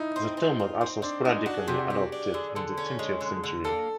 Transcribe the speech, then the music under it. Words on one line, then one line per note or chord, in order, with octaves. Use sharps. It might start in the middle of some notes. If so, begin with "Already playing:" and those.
The term was also sporadically adopted in the twentieth century.
Already playing: D#4 E4
C4
C4
F4
C4
C4 D4
G#3 D#4
D4 F#4
G#4
C3 G4
F#4
G4
D4 F#4
D4
D3 G#4
D3 A4
C#4
G#3
D3
D3
A#3 A4